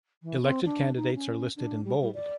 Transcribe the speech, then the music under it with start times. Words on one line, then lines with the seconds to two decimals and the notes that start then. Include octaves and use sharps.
Elected candidates are listed in bold.
0.23 E3
0.42 C4
0.65 D4
0.96 D#4
1.15 C#4
1.56 D4
1.84 G3
2.01 G3
2.14 D5